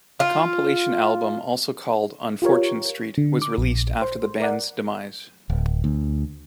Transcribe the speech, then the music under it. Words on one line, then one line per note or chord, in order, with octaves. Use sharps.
A compilation album, also called "On Fortune Street", was released after the band's demise.
F4
F4 G4 A#4 C#5
D3
D6
A#1
C5
A#4 D5 F#5
D1
D2